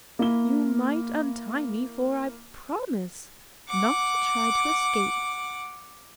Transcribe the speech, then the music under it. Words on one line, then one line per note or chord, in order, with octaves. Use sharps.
You might untie me, for I promise not to try to escape.
A#3 E4 G7
F#5 D6